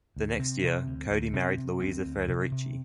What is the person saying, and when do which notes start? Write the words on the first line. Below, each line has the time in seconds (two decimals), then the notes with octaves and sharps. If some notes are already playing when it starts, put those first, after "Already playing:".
The next year, Cody married Louisa Frederici.
0.16 D2
0.39 C3 C4
0.64 C3
0.87 D2
1.10 D2
1.33 C3 C4
1.57 C3
1.80 D2 C4
2.05 D2
2.28 C3
2.52 C3